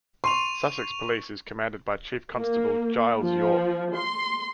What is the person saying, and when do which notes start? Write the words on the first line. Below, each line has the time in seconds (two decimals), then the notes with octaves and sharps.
Sussex Police is commanded by Chief Constable Giles York.
0.24 C6 C#6 D#7 F7
2.35 A#3
3.20 F3
3.95 C6